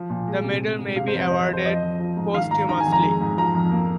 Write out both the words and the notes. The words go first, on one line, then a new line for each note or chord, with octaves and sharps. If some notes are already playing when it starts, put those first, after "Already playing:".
The medal may be awarded posthumously.
Already playing: F3
A#2
G#3
C3
G#3
G#2
C3 F5
C5
F2
C5
F3 D#5
F2
C5
F3 D#5
F2
F3
G#2
D#3 F5
G#2 A#5
D#3 A#5
G#5
F2
A#5
G#3
G#2
F3 A#5
F2
A#3